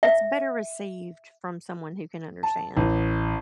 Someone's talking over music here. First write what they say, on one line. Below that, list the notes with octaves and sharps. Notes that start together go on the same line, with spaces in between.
it's better received from someone who can understand.
E5
A5
A1